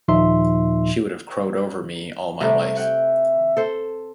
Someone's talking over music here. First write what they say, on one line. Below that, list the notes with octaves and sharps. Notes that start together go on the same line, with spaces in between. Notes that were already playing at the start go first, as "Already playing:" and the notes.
She would have crowed over me all my life.
D#2 A#2 F3 D#4 E5 C6
C3 G3 A3
E5 F#5 G5
A4 C5